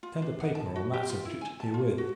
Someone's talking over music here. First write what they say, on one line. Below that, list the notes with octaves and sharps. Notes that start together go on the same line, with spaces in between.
I send a paper on that subject, herewith.
F4
D4
F#5
A5
F#4
G4
F4
E4
G#5
A5
F4
F#4